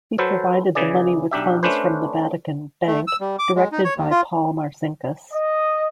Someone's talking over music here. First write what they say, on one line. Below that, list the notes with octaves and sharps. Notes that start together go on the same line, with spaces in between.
He provided the money with funds from the Vatican Bank directed by Paul Marcinkus.
F#3 A4 B4 C5
C#3 E3 G#4 D5
B1 D4 G4 E5
A3 C#4 D4 B4 C5
A3
E6
G3
D6
G#3
D#4
C#5
D#2
F4
D#5